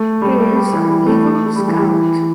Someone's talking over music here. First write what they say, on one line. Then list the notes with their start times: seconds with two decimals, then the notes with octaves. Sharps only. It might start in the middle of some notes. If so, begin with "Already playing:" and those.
He is an Eagle Scout.
Already playing: A3
0.22 G3
0.38 A3
0.56 G3
0.73 E3
0.84 E3
0.88 G3
1.06 A3
1.46 A3
1.56 G3
1.68 E3
1.78 G3
1.91 E3